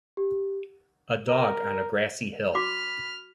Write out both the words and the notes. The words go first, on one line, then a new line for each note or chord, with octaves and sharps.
A dog on a grassy hill.
G4
A#4
F#4 B5 D6 F6